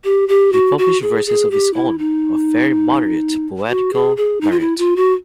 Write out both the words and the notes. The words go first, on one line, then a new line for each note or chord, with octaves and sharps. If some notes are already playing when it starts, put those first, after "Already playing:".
He published verses of his own of very moderate poetical merit.
G4
G4
F#4
F#4
G#4
G#4
G4
E4
D#4
F#4
G#4
G#4
D#4
F4
E4
F4
F#4